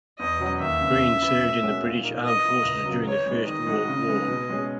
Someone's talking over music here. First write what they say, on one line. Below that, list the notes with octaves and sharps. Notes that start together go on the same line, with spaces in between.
Green served in the British Armed Forces during the First World War.
E2 D#5
B2 F#3 C#4 F#4
D#2 E5
C#3 E3
C#3
E3 B3 E4
B2
G#3 C#4 F#4 A#4
A#2
A#3 D#4 A#4
E3 D#5
A#3 E4
C#2
C#3 F#3 A#3
E3 C#5
G#3 B3 D#4
D#3 D#5
G#3 D#4 F#4
C#3
G#3 B3 D#4
B2
G#3 C#4 G#4